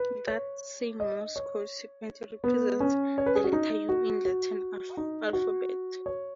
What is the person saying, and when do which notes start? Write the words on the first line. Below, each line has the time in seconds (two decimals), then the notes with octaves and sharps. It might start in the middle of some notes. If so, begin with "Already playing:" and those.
That same Morse code sequence represents the letter U in the Latin alphabet.
Already playing: B4
0.27 C#5
1.00 D#5
1.36 C#5
2.44 B3
2.80 C#4
3.18 C#5
3.26 B4
3.35 G#4
3.44 F#4
3.53 D#4
3.89 F#4
4.25 F#4
4.97 D#4
5.33 F#4
6.06 C#5